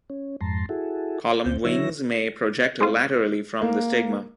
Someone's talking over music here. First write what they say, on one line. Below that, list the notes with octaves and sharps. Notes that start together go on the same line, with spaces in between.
Column wings may project laterally from the stigma.
C#4
F2 G#2 A5 A#5 C6
E4 F#4 G#4 A4
D2 C4 G6
D3 F#3 E4 C#5 E6 A#6
G#3 C4 F4
A#3